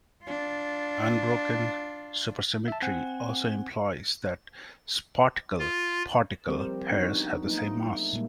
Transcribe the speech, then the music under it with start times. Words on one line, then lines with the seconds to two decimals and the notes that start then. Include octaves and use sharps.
Unbroken supersymmetry also implies that sparticle-particle pairs have the same mass.
0.23 D4 F4
2.68 E5 A5
2.82 C4 F#5 G#5
5.59 F4
6.47 F3 G3 C4 G4 A#4 C5
6.89 B3 D4 D#4 F#4
7.09 D#4
7.45 F#3 A3 A#3 D#4 F4 B4
7.87 A3
8.13 A#2 G3 G#3 A#3